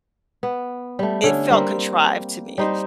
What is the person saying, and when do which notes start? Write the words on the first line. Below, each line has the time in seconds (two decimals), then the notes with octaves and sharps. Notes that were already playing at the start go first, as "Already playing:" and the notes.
it felt contrived to me.
0.43 B3
0.99 G3 A3
1.23 D3 C#4
1.50 G3 A#3 C4
2.58 G3 D#4 C5